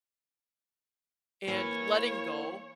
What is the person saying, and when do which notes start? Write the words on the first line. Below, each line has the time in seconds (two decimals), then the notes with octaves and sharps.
and letting go
1.48 E3 A#3 C#5